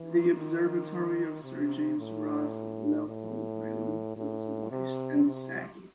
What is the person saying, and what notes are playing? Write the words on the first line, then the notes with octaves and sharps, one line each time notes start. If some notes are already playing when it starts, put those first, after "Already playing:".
The observatory of Sir James Ross at Leopold Island was moist and saggy.
Already playing: E3
D#3
C3
A2
A2
A2
C3
C3